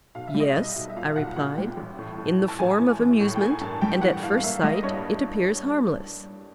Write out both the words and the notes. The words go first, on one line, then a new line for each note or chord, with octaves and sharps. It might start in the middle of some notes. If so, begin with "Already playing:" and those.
Yes, I replied, in the form of amusement; and at first sight it appears harmless.
B1 F5
E5
G3
D#5
B1 E5
B1
E5
A#2 F5
B1 F#5
A#2 F#5
G3 G5
A1
A2
A2
E3
A5
A1 G#5
E3
A1
A2
G5
A#3 G#5
G2 A5
G3 G5
E3 F#5
E3 F5
F5
A#3 E5
G3 D#5
G2 C#5